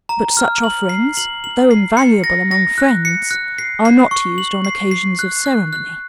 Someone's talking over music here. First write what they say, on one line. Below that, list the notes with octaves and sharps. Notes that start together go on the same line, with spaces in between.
But such offerings, though invaluable among friends, are not used on occasions of ceremony.
A#5
F6
F#7
C7
F#7
F#7
C7
C#7
A#6
A#6
F#6
C#7
F#6
C7
C7
C#6
F#7
C7
C7
F#6
F#6
F#6